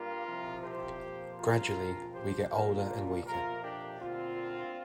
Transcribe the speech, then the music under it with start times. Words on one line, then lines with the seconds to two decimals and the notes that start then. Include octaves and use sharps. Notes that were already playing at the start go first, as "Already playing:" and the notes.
Gradually we get older and weaker.
Already playing: G2 G3 A#3 F4 A#4
0.26 C2 C3 F3 C4
0.64 G4 C5
1.01 F2 F3 A#3
1.38 F4 A#4
1.76 F2 F3 C4
2.14 G4 C5
2.50 A#2 F3 A#3 F4 A#4
3.25 F2 C3 A#3 F4 A#4
3.63 D4 G4
4.01 D2 D3 A#3 C4 F4